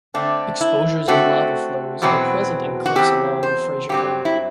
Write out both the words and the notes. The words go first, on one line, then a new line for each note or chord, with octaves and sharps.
Exposures of lava flows are present in cliffs along the Fraser Canyon.
D3 A3 C4 D4
E4
D3 A3 C4 F#4
E2 B2 F#3 C4
F#4
E2 B2 F#3 C4 G4
C5
G2 F#3 C4 G4
E4